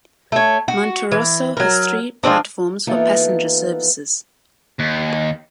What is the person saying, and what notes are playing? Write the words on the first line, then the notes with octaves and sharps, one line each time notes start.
Monterosso has three platforms for passenger services.
A3 C#5
F#4
E3
F#3 A#4
F3 G3 C4 D4
E3 A#3 B3 D#4 F4 A4
D#2